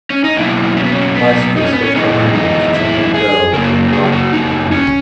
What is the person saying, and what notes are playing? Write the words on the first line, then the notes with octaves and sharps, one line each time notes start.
A bicyclist looks behind him to check on a girl riding a bike behind him.
C#4
D#4
B2 F#3 A#3 E4
C#4
B3
C#4
B3
D#4
C#4
B3
C#4
F#2 E3 G#3 B3 D#4
D#4
E4
G#4
C#3 F#3 A#3 A#4
G#4
F#4
D#4
C#4